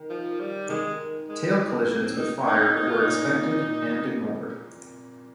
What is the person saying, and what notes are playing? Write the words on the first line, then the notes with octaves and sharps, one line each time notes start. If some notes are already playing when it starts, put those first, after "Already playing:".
Tail collisions with fire were expected and ignored.
Already playing: D#3
F3
G3
D#3 G#3
G#3
C3 A#3
C4
D#4
D#4
D#4
F4
D#4
A#2
C3
C3